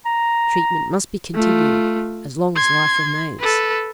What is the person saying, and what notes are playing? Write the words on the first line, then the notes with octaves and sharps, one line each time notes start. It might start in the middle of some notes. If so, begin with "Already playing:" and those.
Treatment must be continued as long as life remains.
A#5
A3 F4
C6 G#6
A4 B4